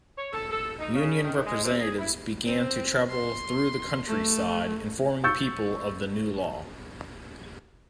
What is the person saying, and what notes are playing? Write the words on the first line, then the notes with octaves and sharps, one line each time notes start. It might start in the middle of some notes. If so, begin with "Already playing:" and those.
Union representatives began to travel through the countryside, informing people of the new law.
C#5
A4
A4
D#4
C#3
D#3
G#3
C3
G#4
E4
C4
C6
A3
C#6 E6 G6 A6 C#7